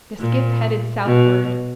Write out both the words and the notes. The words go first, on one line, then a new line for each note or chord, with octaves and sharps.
The skiff headed southward.
A#2
B2